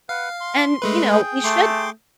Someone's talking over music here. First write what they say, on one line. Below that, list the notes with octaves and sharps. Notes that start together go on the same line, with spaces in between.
and, you know, you should
B4 F5 F#5
C6
G#3 A3 B4
G#4 G5
A3 C6 D6